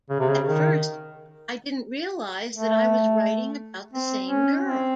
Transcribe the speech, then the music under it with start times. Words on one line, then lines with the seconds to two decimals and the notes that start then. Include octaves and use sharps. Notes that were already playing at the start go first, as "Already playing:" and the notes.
At first I didn't realize that I was writing about the same girl.
0.10 C#3
0.20 C3
0.28 C#3
0.45 D#3
2.54 A3
3.93 C4
4.28 C#4
4.63 C4